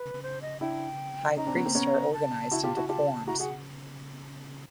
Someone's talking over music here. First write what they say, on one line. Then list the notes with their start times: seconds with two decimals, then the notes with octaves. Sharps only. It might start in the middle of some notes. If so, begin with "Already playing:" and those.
High priests are organized into quorums.
Already playing: B4
0.23 C5
0.42 D#5
0.60 D4 E4 G5
1.36 C#4 D#4 A#5
1.47 C4 D4
1.55 B3 C#4
1.65 A#3 C4
1.75 B3 C#4
2.13 A5
2.51 E4 F#4
2.63 F4 G4
2.77 E4 F#4
2.89 F4 G4 A5
3.27 E4 F#4 A#5
3.39 F#4 G#4 F#5